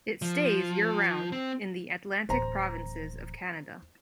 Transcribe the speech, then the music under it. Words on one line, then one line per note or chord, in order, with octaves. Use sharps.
It stays year round in the Atlantic provinces of Canada.
F3
C4
D1 E3 C5 A#5